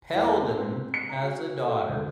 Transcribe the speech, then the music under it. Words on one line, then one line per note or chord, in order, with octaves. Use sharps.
Peldon has a daughter.
E2
C4
C4
C#7
A#5
F#4
A4
D2